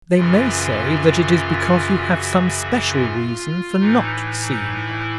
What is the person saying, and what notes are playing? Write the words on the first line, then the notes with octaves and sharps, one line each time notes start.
"They may say that it is because you have some special reason for not seeing her."
F#2 C#3 E3 F4
F#4
F4
A2 E3 D#4
E4
D#4
E4